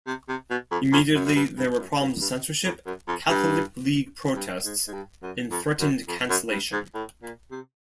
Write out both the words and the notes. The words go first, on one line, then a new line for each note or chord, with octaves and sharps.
Immediately there were problems with censorship, Catholic League protests, and threatened cancellation.
C3
C3
B2
F2
F2
F#2
F#2
G2
G2
F#2
G2
G2
F2
F#2
F2
G2
G2
G#2
G#2
G2
F#2
F2
F#2
F2
F#2
G2
G#2
A2
A#2
C3